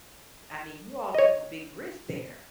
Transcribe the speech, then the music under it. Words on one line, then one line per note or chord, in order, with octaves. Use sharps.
I mean, you all took a big risk there.
C#5 D#5